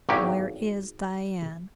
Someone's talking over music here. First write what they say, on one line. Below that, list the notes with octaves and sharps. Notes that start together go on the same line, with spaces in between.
Where is Diane?...
G#1 E2 G2 F#3 G4 C#5